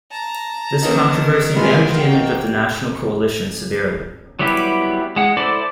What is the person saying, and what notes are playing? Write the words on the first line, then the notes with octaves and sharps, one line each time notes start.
This controversy damaged the image of the National Coalition severely.
A5 A#5
D#3 A#3 B3 C#4 D#4 A#4
A#2 G3 G#3 B3 F4 G#5
D#4 F#4 G4 F5 G5
F#3 G3 B3 E4 G4
G#3 F#5
E4 A4 C5 D5 D6